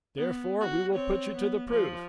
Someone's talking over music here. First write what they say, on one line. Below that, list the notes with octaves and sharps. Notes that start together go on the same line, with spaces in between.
Therefore we will put you to the proof.
B3
F#4
C4 C#5
B3
F3